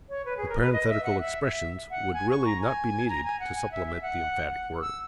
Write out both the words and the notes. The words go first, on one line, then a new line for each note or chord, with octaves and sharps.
The parenthetical expressions would really not be needed to supplement the emphatic words.
C#5
B4
G#4
A#4
B4
D#5
E5
F#5
E5
E5
F#5
G#5
C#6
A#5
G#5
A#5
G#5
F#5
G#5
E5
E5
F#5
F#5
E6